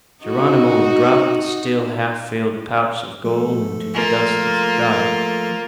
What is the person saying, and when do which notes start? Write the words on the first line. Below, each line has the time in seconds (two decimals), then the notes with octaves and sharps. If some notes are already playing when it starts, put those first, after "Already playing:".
Geronimo dropped the still half-filled pouch of gold into the dust and forgot it.
0.24 D#4 F#4
3.24 F3 A3 A4
3.94 A#3 F4